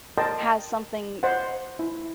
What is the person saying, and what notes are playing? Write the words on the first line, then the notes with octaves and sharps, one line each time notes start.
has something
A#4 D#5 G5 A5 C6
C5 D#5 F#5
E4